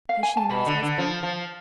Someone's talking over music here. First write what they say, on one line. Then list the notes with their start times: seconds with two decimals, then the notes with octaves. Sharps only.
"Has she a nice husband?"
0.09 F5
0.23 G#5
0.37 A5
0.49 B2 B5
0.66 D3
0.82 D3
0.98 F3
1.23 F3